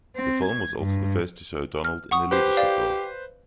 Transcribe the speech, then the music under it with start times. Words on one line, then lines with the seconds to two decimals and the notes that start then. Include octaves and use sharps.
The film was also the first to show Donald in a leadership role.
0.15 C4
0.45 G#6
0.80 G2
1.84 F6
2.11 F#5 C#6 D#6
2.31 G4 B4 C5
2.57 D5 F5